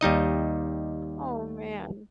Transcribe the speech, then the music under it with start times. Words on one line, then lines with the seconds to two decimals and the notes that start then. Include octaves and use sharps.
Oh man.
0.01 D#2 G3 D#4 D#5